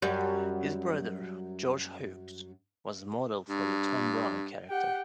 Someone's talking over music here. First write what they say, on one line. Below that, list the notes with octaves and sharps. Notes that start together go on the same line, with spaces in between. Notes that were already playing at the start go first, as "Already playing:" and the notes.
His brother, George Hughes, was the model for the Tom Brown character.
F#2 G3
G2
G4 F#5 G5